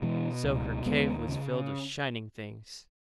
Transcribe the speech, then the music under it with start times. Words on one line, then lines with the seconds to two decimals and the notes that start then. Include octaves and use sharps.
So her cave was filled with shining things.
0.02 B2 E3 G#3
0.44 C#2
0.86 D#2 G#3 B3
1.28 C#3